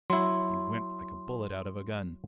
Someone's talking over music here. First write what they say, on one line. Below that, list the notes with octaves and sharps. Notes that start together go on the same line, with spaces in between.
He went like a bullet out of a gun.
F#3 E4 C6